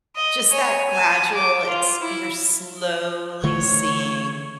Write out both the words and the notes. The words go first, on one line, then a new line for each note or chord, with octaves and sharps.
Just that gradual it's you're slowly seeing
D#5
C#5 G#5
G#5 A5
D6
F4
E4
D3 E3 A3 C#5